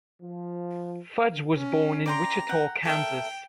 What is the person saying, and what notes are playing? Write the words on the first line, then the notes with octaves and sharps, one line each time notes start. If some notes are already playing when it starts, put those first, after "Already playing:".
Fudge was born in Wichita, Kansas.
F3
C#4
D5 G5 A#5 C6
F#5 G5
A4 A#4 E5 G5